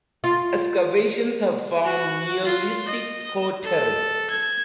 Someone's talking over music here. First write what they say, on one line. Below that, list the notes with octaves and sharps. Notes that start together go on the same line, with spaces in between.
Excavations have found neolithic pottery.
F4
F#4
F4
D#5
A4
G#6